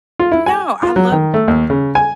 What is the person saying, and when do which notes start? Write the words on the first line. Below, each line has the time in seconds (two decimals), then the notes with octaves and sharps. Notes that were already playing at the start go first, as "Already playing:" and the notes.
No, I love
0.19 F4
0.32 E4
0.46 G#5
0.83 F4
0.96 F#3
1.12 D#3
1.34 A3
1.48 D#2
1.70 C#3
1.95 G#5